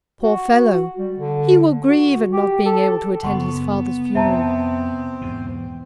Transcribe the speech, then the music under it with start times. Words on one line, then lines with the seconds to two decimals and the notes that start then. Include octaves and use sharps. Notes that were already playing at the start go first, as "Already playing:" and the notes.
Poor fellow! he will grieve at not being able to attend his father's funeral.
0.23 F#4
0.71 F#4
0.98 G3
1.16 D3
1.89 F#4
2.32 G4
2.66 A4
3.23 F#1 B3 F#5 C6 C#6
4.15 F2 C3 C4 C5 E5 A5 A#5
5.21 E2 G#2 B2